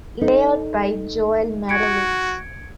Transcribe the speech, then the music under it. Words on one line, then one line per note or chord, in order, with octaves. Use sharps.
Layout by Joel Marrowitz.
D#4 A4
F#4 G#6 C#7 D7